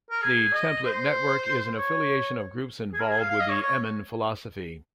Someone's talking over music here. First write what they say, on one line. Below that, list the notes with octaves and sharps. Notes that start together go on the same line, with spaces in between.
"The Template Network", is an affiliation of groups involved with the Emin philosophy.
A#4
G#4
D#5
C5
C#5
G#4
A#4
G#4
F5
F5
D#5
C#5
C#5